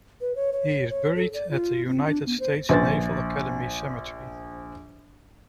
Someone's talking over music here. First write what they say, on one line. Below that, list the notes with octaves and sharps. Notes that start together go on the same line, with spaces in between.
He is buried at the United States Naval Academy Cemetery.
B4
C#5
C#5
C#5
A4
D5
F4
C4
D4
B3
C5
A#1 C5 A6